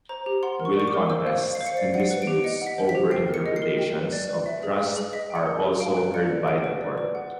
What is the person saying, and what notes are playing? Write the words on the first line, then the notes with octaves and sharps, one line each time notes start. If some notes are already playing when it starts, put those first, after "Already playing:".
Will contests and disputes over interpretations of trusts are also heard by the Court.
C5 A#5
G4
F#5 C6
A#4
C#6
D5 C#6
D6
A#4
C5 E6
F5
F5
C7
C5
C#7
D5 C7
F#5 C7
C#7
B4
D7
G4
D#5 C#7
F#5
B6
C5
B6
G4
G5 C7
A#4
C#7
D#5
C7
A#4
G5
B4
D5
B4
E5
G#4
B4
G#4
D#5 B6
G5
C#7
A#4
G4
F5 D7
B4
D5 C#7
B4
F#5 D7
B4
D5
B4
F#5